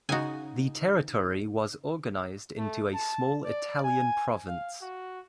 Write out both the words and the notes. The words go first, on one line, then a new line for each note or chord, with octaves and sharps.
The territory was organized into a small Italian province.
C#3 D#4 F#4 G#5
A3
A5
D5
G#5
F5
F#4